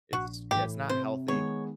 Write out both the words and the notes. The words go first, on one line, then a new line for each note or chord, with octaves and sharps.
It's Yeah, it's not healthy.
A#1 F#4
A2 E3 G4
C3 C5
D#3 G#3 B3 C#5